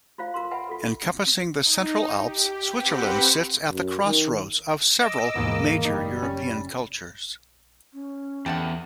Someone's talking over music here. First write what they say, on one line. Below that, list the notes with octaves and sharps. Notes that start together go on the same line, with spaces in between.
Encompassing the Central Alps, Switzerland sits at the crossroads of several major European cultures.
E4 F4 C5 F5
F4 A#4 C6
B4 E5 F#5 G#5 B5
F4 A4 B4
D#4
G4
C4 G4 B4 F#5 G5
F#2
D#3
D#5 D6 E6
D#2 G#2 B2 D#3 E3 A#3
F#1 G3 D#4
C#4
C#4
E2 G4 A4 F#5